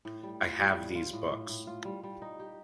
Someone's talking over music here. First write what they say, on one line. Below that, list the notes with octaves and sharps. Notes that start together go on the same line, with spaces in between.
I have these books.
A2
G3
F4
G3
A2
F4
A2
A2
A2
F4
G3
G3
D#4
G4